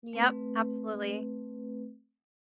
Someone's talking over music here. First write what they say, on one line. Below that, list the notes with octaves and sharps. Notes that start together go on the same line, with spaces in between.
Yep, absolutely.
A3 C4 B4